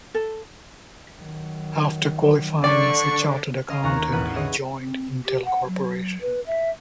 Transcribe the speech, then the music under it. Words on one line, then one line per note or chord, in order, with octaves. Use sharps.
After qualifying as a chartered accountant, he joined Intel Corporation.
A4
D#3 F#3
D3 D4 D5 C#6
C#4 D#5 F5 C6
D#2 A#5 C#6 F#6
A#3
A1 E2 F#5 B5 D#7
E4 G#4 C#5 D#5
C4
G4
F#5
F#3
B4
E5